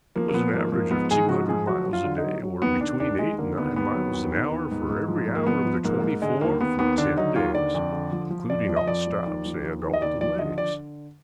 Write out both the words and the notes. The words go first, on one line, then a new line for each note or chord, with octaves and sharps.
It was an average of two hundred miles a day, or between eight and nine miles an hour for every hour of the twenty-four for ten days, including all stops and all delays.
F3 A#3
A#3
F3 B3
G#2 A#3
F3 A#3
G#2 B3
G#2 G#4
F3 F#4
F3 G#4
F#3 F#4
F#3
F4
D3
D#4
F#3
F#3
D#2 B3
D#2 D4
D#2 D4
D#2 G#3
D3 A#3
D#2 B3
D#2 B3
F#3
D#2
D#2
D#2
G#2
G#2
F3
G#2
A#3
F3 B3
F3
G#2 A#3
G#2
D3 G#3
D#2 A#3
D#2 B3
D#2 B3
D3 D4
F#3 D#4
D#2 F4
D3 D5
F2
D3
F3
F3
F2 D5
F3
D#5
F2 D5
F3
D#2
F3
D#2
D#2
D#5
D#2 D5
F3 D5
D3 D#5
D3 D5